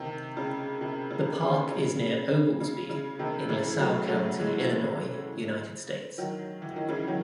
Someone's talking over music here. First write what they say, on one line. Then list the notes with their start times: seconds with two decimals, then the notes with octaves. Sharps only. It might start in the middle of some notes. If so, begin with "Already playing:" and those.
The park is near Oglesby, in LaSalle County, Illinois, United States.
Already playing: C3 D#3
0.37 C#3
0.81 C3
1.11 C#3
1.41 C#3
1.71 C#3
2.60 C#3
2.90 C#3
3.19 C3 D#3
3.49 C#3 E3
3.79 F#3 A3
4.09 F#3 A3
4.38 E3 G#3
6.18 D#3 F#3
6.62 E3
6.76 D#3
6.89 C#3 E3
7.07 D#3 F#3